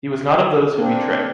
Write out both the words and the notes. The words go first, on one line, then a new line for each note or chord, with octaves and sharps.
He was not of those who betray.
A#3 C4 D4